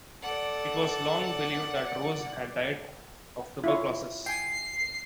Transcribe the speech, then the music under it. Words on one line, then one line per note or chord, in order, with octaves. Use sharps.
It was long believed that Rose had died of tuberculosis.
A4 D5 F#5
E4 F4 C#5
G5 G#5 C7